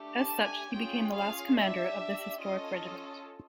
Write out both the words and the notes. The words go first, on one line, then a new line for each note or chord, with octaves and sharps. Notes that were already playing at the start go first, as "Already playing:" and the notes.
As such, he became the last commander of this historic regiment.
Already playing: A3 D4 G4
A5
G#5
C#4 F4 G#4 G5
F5
D4 G4 E5
C#4 F4 A4 D#5